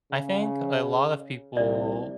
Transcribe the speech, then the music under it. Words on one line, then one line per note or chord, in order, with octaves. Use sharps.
I think a lot of people
C#3
C2 D5